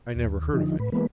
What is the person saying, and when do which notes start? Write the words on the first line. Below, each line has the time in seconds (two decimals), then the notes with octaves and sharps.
I never heard of any.'
0.15 D#2
0.53 D3 F3 D#4
0.80 A2 B4
0.92 E3 G#3 A#3 B3 B4